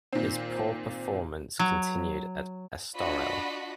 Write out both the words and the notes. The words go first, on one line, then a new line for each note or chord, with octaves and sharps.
His poor performance continued at Estoril.
A#2 D#3 C4
F#3
D4 F4 F#4 D5 D#5 B5